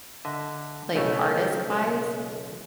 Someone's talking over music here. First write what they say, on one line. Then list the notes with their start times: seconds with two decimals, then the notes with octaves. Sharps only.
Like, artist-wise?
0.25 D3 D#5 E5
0.95 B1 C#3 A3 E4 E5